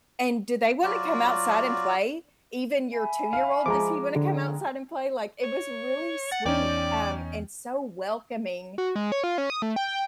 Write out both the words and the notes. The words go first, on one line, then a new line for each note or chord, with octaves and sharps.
And do they wanna come outside and play? Even your two-year-old, does he wanna come outside and play?" Like, it was really sweet, um, and so welcoming
F#3 F4 F#4 D5
E5 G#5 B5
F5
F3 G#3 A#5 D6
D3 F4 G#4 G5
C#5
F#5 A6
E2 C#4 D#4 D5 G5
F#4
G#3
C#5
F4
C#4
D#6
A3
G5
G5